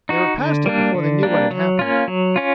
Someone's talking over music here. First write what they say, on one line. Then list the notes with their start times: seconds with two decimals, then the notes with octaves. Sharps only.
They were past it before they knew what had happened.
0.09 D#4 F#4
0.37 D3
0.66 G3 A#3 D4
0.95 D3
1.23 G3 A#3 D4
1.51 F#3
1.79 A#3 C#4 F4
2.08 F#3
2.36 C#4 F4